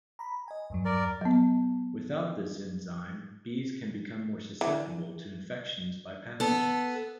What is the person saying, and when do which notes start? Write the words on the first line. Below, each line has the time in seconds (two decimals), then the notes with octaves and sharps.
Without this enzyme, bees can become more susceptible to infections by pathogens.
0.19 A#5 B5
0.48 D#5 G#5
0.70 E2 G2 F#3
0.85 A#4 D5
1.21 F#3 B3
4.61 E3
6.40 B3 A4